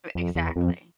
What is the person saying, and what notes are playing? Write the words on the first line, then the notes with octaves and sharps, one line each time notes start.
But exactly.
F2
E2
F2